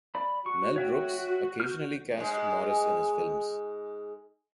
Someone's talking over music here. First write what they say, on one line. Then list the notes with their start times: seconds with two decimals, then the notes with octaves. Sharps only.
Mel Brooks occasionally cast Morris in his films.
0.15 D5 B5
0.46 F#4 C#6
0.76 C#5 E5 G5
1.60 F6 G6
2.17 G#2 G#3